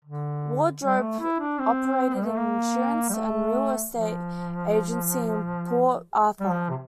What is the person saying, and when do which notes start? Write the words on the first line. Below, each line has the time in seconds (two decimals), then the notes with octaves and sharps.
Wardrope operated an insurance and real estate agency in Port Arthur.
0.04 D3
0.82 G3
1.01 A3
1.20 E4
1.39 D4
1.59 C4
2.15 G3
2.26 A3
2.37 A#3
3.09 G3
3.14 A3
3.92 F3
6.40 G3
6.50 F3
6.70 C3